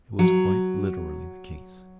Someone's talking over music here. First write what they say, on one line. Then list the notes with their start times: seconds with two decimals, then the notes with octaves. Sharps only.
It was quite literally the case.
0.19 F#3